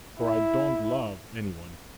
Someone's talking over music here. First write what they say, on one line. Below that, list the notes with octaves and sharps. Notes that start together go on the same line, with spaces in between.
For I don't love any one.
E4